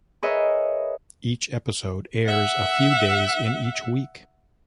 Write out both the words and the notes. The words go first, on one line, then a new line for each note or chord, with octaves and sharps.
Each episode airs a few days in each week.
G#4 A#4 B4 C#5 D#5 E5
E5 F#5